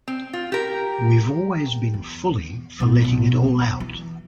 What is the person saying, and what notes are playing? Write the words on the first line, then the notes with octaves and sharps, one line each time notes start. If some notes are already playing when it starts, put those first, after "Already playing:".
We've always been "fully" for letting it all out.
C4
F4
G4 A#4
E2
A#2 B3
B1
E3